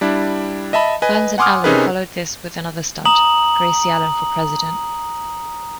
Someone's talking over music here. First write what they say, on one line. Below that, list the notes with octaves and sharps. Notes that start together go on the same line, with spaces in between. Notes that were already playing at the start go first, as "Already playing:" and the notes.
Burns and Allen followed this with another stunt: Gracie Allen for President.
G3 D4 E4
D#5 E5 A5 B5
B4 D#5 G#5
F#5 G#5 C6 D6 D#6 F6
C3 C#4 D#4 G#4 A#4 B4
A#5 D#6 F#7